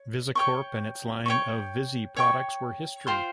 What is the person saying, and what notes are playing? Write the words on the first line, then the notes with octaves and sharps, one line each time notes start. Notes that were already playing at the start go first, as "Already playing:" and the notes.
VisiCorp, and its line of "VisiProducts", were history.
Already playing: C#5
C#5 G5 C#6
C#5 G5 C#6
C#5 G5 C#6
F4 C5 G5 C6